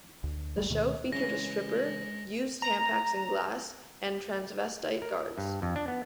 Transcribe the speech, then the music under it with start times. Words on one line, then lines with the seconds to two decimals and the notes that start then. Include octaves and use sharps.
The show featured a stripper, used Tampax in glass, and transvestite guards.
0.23 D2
0.57 F#1 F#2 G3 A3
0.70 D2 B2 D#3 A3
1.12 C#3 E3 G#3 C#4 A#6
2.62 A#5
5.02 A#4
5.38 G2
5.62 F2
5.76 D4
5.88 B3